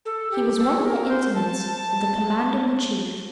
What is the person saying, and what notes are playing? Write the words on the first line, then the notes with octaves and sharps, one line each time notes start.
He was one of the intimates of the Commander-in-Chief.
A4
G4
A4
A#4
C5
A5